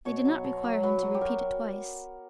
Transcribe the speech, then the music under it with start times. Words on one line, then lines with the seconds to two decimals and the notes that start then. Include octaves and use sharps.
They did not require him to repeat it twice.
0.05 B2 C#5
0.25 F#3
0.44 B2
0.63 F#3
0.83 F#3 B4
1.03 F#3
1.14 G4
1.21 F#3 A#4